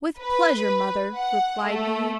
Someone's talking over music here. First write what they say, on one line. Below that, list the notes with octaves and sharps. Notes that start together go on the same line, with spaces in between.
'With pleasure, mother,' replied he.
B4
F#5
A3